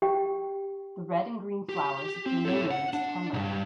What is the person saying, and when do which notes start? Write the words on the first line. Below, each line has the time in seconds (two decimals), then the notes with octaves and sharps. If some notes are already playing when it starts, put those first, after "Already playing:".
The red and green flowers appear mainly in September.
0.02 G4 G5
1.69 G4
2.26 C4
2.45 A4 C#5
2.71 F#5
2.93 D4
3.34 B1 G2